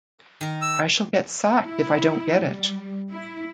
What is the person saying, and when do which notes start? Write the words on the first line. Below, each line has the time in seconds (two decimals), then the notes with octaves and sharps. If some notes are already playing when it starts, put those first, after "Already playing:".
I shall get sacked if I don't get it.
0.41 D#3 A#4
0.62 E6
1.65 E4
2.43 G3
3.12 E4